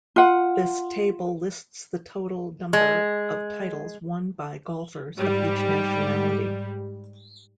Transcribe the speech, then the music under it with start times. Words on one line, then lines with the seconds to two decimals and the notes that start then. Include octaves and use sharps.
This table lists the total number of titles won by golfers of each nationality.
0.16 F4 F#5
2.73 G#3
5.16 G#2 G3